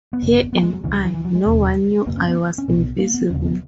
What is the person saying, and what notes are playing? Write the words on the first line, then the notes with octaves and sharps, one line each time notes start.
Here am I... No one knew I was invisible!
B3
G#1 F#2 C#3 A#3
B3
B3
G#3
F#3
C#2 C#3 E3
F#3
E3
E3
F#3
G#3
E1 D#2 C#3
F#1 F#2 C#3 A#3
C#4
B3
C#4
B1 A#2 B3
A#3
B3
E1 D#2 C#3 C#4
B3